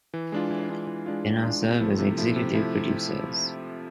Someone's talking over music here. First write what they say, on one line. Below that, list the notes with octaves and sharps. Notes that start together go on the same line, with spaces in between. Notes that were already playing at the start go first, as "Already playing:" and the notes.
They now serve as executive producers.
E3
G#3 D4 F4
E3
G#3 D4 F4
E3
G#3 D4 F4
E3
G#3 D4 F4
C3
F3 A3 E4
C3
F3 A3 E4
C3
F3 A3 E4